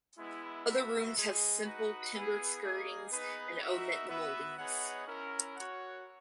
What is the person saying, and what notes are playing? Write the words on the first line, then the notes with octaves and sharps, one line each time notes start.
Other rooms have simple timber skirtings and omit the mouldings.
G#3 B3 E4
B3 F#4 A#4 E5
G#3 D#4 G#4
D#4 F#4 B4 D#5 F#5
B3 E4 G#4 B4
A#3 D#4 G#4
B3 D#4 G#4 B4
D#4 F#4 A#4 E5
B3 F#4 B4 E5
B3 D#4 G#4 C#5 F#5
C#4 E4 A#4
F#4 C#5 F#5